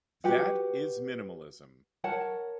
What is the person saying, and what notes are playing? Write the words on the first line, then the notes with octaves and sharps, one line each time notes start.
That is minimalism.
F#4 G4 B4 F#5
A#4 C#5 F#5 A5